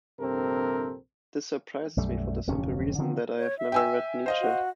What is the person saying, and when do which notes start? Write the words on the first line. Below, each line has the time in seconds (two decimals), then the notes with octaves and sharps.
This surprises me, for the simple reason that I have never read Nietzsche.
0.20 A#1 G2 C3 C4 A4 A#4
1.97 B1 F#2 G3 A3
2.47 D1 F2 C3 C#4
2.98 D3 D#3 F3 C4
3.39 C#5
3.59 E5
3.72 G5 G#5 E6
4.26 C5 D#5 F5
4.41 F#4